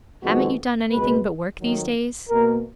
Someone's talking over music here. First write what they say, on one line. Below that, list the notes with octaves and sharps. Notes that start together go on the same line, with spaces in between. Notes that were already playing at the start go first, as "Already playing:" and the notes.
'Haven't you done anything but work these days?'
F2 D#3 G#3 B3 F#4
C#2 B2 G#3 B3 B4
F2 D#3 F#3
B2 A#3 A#4